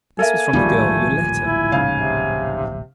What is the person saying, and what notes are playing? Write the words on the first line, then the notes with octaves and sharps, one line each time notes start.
This was from the girl Yoletta.
A#3 A4 A#4 E5 G#5
D1 A#1 D#3 F3 G3 A3
E4
G#2 C#3 F5
C3